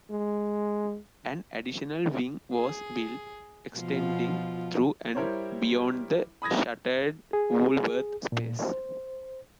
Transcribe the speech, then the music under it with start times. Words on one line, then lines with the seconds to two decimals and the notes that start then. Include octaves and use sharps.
An additional wing was built, extending through and beyond the shuttered Woolworth space.
0.11 G#3
2.55 G#4
3.76 B2 F3 F4
5.15 G3 E4 A#4 C5 C#5
6.42 B5 D#6 G#6 A#6
7.33 G#4
8.32 A#2
8.64 C5